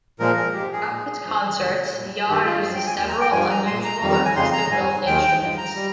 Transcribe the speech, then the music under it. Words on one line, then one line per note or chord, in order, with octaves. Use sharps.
Throughout his concerts, Jarre uses several unusual or custom-built instruments.
A#2 F3 G#3 A#4
A#4
G#2 F3 G#3 G4
G#4
A#2 G#3
G2 F3 G#3
F2 C3 D#3
A#2 G3
G2 D#3 G#3 G4
F4
G2 F3 G#3 G#4
G5
G#5
D#2 D#3 G#3 G#5
A#5
G5
G2 F3 G#3 G#5
A#5
A#2 G#3 C6
A#5
F2 D#3 G3 A#5
A#5
G#5
F2 C#3 G#3 C6
A#5
G#2 G3 G#5
D#2 D#3 G#3 G5
G5
G2 F3 G#3 G5
A#5
G3